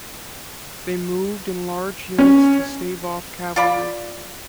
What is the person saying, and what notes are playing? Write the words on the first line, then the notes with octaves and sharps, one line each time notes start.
They moved in large units to stave off cavalry.
C#4
F4 D5 B5